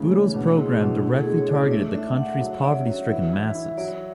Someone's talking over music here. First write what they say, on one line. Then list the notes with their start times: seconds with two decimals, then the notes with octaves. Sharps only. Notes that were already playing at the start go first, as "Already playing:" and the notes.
Bhutto's program directly targeted the country's poverty-stricken masses.
Already playing: C#3 E3 G#3 A3
0.11 C#4
0.34 B2 D4
0.57 G#3 E4
0.81 B2 D4
1.03 D3 E4
1.14 A4
1.20 G#4
1.26 G#3
1.38 C#5
1.49 D4
1.55 D5
1.71 A3 D5
1.95 D4 E5
2.17 D3 F#5
2.40 F#3
2.63 C#4 D5
2.87 F#3
3.09 E3 E5
3.33 E4
3.55 E4
3.77 F#3 D5